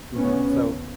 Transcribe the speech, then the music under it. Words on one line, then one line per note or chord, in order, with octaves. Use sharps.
You know? So
D2 C#3 B3 C#4
D#2 C#3